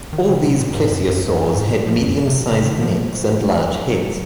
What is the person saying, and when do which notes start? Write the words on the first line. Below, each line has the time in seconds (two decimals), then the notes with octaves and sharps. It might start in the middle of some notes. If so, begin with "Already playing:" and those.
All these plesiosaurs had medium-sized necks and large heads.
0.13 D#3
0.28 C#3
0.45 C3
0.60 A#2
0.76 G#2
0.91 F#2
1.08 F#2
1.31 F#2
1.55 G#2
1.71 A#2
1.87 F3
1.97 F2
2.02 F#2
2.27 C3
2.51 C#3
2.66 D#3
2.82 F3
3.93 F#3